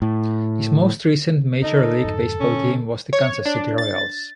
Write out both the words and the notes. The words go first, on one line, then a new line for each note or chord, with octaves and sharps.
His most recent Major League Baseball team was the Kansas City Royals.
A2
D3 D#4 A4
F2 G#2 D3
A#2 D3 C#4
C#5
D4
A6